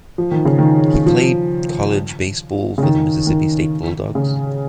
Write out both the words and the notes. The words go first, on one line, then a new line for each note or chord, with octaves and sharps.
He played college baseball for the Mississippi State Bulldogs.
F3
D#3
C#3
D#3
F3
C#3
D#3
D#3
C#3